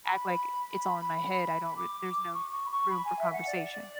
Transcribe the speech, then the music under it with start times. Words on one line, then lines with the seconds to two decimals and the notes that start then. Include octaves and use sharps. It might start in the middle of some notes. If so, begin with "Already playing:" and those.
act like it's all in my head, I don't re there's no room for conversation.
0.05 B5
1.76 D6
2.34 C#6
2.52 C#6
2.66 B5
2.70 C#6
2.89 B5
3.05 G#5
3.19 E5
3.32 F#5
3.47 D5